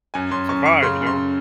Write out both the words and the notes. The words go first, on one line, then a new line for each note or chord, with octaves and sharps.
survive, you know?
F#2 G#5
F#2 C6
F#2 C#6
F#2 C#6
C#3 C6
F#2
C6